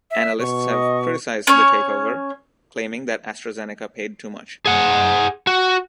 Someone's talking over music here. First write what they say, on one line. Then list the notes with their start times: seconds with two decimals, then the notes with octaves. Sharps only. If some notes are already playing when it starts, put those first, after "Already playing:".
Analysts have criticised the take-over, claiming that AstraZeneca paid too much.
0.11 E5
0.40 B2 C#6
0.71 D#5
1.47 C#4 C#5
4.66 G#4 F#5
5.47 F#4